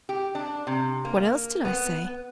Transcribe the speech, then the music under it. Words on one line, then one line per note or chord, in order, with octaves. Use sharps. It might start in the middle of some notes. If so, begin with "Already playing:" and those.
'What else did I say?
G4
D4
C3
A#3
B3